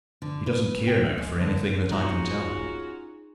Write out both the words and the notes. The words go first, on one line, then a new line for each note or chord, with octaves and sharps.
"He doesn't care, now, for anything that I can tell him."
D3
B4
G5
E5
G#3
D3
C#4 D#4 F4 F#4 G#4 A#5